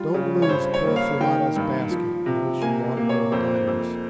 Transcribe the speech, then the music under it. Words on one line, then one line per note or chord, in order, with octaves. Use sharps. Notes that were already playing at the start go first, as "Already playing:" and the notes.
Don't lose poor Foulata's basket in which you brought away the diamonds.
Already playing: G3 F4
C#3
C#5
G2 C5
C#5
A#3
F5
D#3 G5
G2
F3
C3
A#3 G#5
A#3
C#5
F2 C5
F2